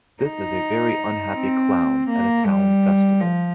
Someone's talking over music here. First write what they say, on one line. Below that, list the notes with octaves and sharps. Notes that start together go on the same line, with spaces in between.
This is a very unhappy clown at a town festival.
D#4
C4
A#3
G3
F3